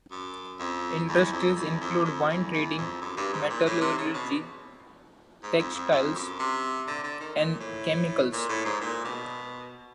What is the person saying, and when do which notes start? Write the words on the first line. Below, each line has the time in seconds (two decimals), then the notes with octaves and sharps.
Industries include wine-trading, metallurgy, textiles, and chemicals.
0.11 F#2
0.59 F2
1.08 E2
1.32 F2
1.56 E2
1.81 F2
2.05 F2
2.29 E2
2.53 E2
2.78 F2
3.01 F#2
3.17 G2
3.33 G#2
3.50 A#2
3.66 A2
3.81 C3
3.98 C#3
4.14 B2
5.43 G#2
5.59 F2
5.75 F2
5.91 F2
6.15 F#2
6.39 C3
6.88 D3
7.04 D3
7.20 D#3
7.36 A#2
7.60 A2
8.32 A#2
8.49 A2
8.65 G#2
8.81 A#2
9.05 B2